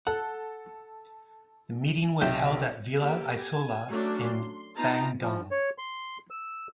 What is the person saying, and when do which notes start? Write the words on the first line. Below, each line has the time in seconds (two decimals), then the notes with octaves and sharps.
The meeting was held at Villa Isola in Bandung.
0.07 A4 F#5
2.21 B1 C3 E5 G5
2.97 A#3 B3 G4 A4
3.40 G#5
3.88 F#3 A3 C#4 D4 F#4
4.26 C6
4.76 B3 D#4 F4 A5 A#5
5.21 F3
5.51 C#5
5.78 C6
6.30 E6